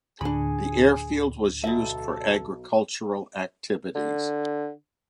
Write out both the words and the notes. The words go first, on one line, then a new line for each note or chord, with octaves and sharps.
The airfield was used for agricultural activities.
D2 A2 D3 D4 G#4 B5
B1 A4 E5
D3